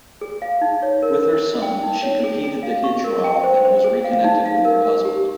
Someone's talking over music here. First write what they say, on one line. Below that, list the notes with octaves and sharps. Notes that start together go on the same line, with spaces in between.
With her son, she competed the hijra and was reconnected with her husband.
G#4
F5
D#4
C#5
A#4
A#4
A#4
G5
D#4
C#5
G#4
G#4
F5
C#6
A#4
G5
C5
C5
G#4
F5
D#4
F5
A#4
A#4
G4